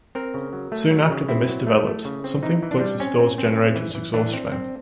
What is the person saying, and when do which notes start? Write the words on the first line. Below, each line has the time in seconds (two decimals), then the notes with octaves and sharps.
Soon after the mist develops, something plugs the store generator's exhaust vent.
0.15 C4 A#4
0.34 C#3
0.53 F#3
0.72 A3
0.91 F#3
1.10 C#3
1.29 C4 E4
1.48 F#3
1.67 A3
1.86 A3
2.05 C#3
2.24 C4
2.43 E3 D#4
2.63 E3
2.71 D4
2.80 G3
3.00 C4 C#4
3.19 C4
3.38 C4
3.57 C4
3.75 E3
3.95 E3
4.14 E3 D4
4.33 C4
4.52 C4